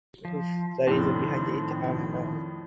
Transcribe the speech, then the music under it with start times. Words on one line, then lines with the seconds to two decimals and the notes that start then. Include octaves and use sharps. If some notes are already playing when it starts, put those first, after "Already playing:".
The reasons behind it are unknown.
0.25 F3
0.87 F2 A2 D#3 F3 C4 D4